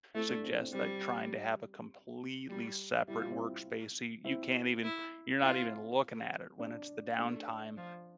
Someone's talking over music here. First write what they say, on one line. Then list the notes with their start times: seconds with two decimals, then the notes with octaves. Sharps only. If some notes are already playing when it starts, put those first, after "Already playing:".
suggest, like, trying to have a completely separate workspace so you you can't even you're not even looking at it when it's the downtime,
0.14 A3 C4 E4
0.29 D4
0.44 C4 E4
0.59 C4
0.73 G3 C4
2.50 G3
3.08 G3 E4
3.19 F4
3.31 C4 E4
4.25 C4 E4
4.84 E4
5.42 C4 E4 F4
6.59 D4
7.18 A3 D4
7.77 F3